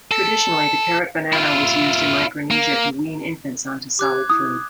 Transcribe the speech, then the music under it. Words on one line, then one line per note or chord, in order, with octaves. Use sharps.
Traditionally, the Karat banana was used in Micronesia to wean infants onto solid food.
A4
E4 F4
A#3
G4 D6 F#6 G#6
E4 D#6